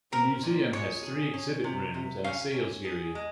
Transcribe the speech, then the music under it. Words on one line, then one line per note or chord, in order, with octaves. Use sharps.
The museum has three exhibit rooms and a sales area.
C4 A#4
A#2
G#3 C#5
G#4
C#4
C3
C3
C#4 F5
C#4
G#4
G#3